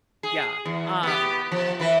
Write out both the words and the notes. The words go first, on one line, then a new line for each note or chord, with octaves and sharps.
Yeah. Um,
G#4
E2
B3 G4
F3
E3 B4